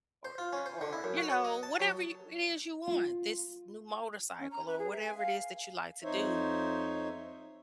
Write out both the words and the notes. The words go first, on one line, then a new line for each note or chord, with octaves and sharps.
or o or, you know, whatever you it is you want. This new motorcycle or whatever it is that you like to do,
C5
F4
C#4
C5
D3
E4
F#2
F#4
C#5
D#5
A5
F#3
F4
C#4
A#5
B4
G#4
E5
G#5
F5
F2 D#4 C5 C#5 E5